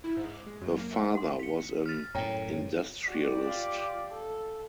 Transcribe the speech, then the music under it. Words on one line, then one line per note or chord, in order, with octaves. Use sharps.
Her father was an industrialist.
E4
G#2
D6
G#3
F#2
A#3
E5
F#5 C6
B6 C#7
F6 A6
F#2 A2 C#5 G5 A#5
F#4 G4 D5
F4
A4